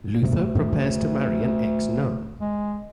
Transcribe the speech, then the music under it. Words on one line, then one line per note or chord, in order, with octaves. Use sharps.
Luther prepares to marry an ex-nun.
D2
G#3